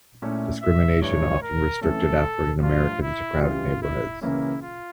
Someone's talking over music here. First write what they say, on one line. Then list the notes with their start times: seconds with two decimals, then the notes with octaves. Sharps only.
Discrimination often restricted African Americans to crowded neighborhoods.
0.22 A#2 A3 C#4 E4
0.62 E5
1.02 G2 E3 A3 E4 C#5
1.42 A#4
1.81 F2 E3 A3 C#4 A4
2.62 G2 F3 A3 D4 F4
3.02 E4
3.42 C#2 C#3 E3 G3 F4
3.82 E4
4.21 C#2 C#3 E3 A#3 C#4 E4
4.62 F4